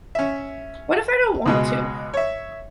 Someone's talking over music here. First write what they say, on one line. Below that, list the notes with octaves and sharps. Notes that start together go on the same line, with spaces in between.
What if I don't want to?
C#4 E5
C#2 B2 G#3
C#5 E5